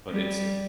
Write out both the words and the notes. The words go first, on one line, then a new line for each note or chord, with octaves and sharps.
but it's
G3